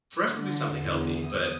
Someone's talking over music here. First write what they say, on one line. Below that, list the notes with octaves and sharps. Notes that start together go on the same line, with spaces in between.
preferably something healthy, but
D3
E2
D#6